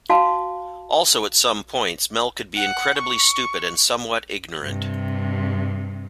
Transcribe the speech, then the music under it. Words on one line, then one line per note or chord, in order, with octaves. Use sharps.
Also, at some points Mel could be incredibly stupid and somewhat ignorant.
F#4 F5 A5
F#5
C#6
G2 C3